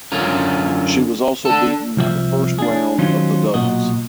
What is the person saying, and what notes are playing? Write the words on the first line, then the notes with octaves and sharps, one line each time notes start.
She was also beaten in the first round of the doubles.
F#2 D3 C#4 F4 A#4
D4 A4
C2 F3 F#4 E5
D4 G#4
D#3 F#3 C#4 D#4 F4 C5
B1 A#2 F#4 D#5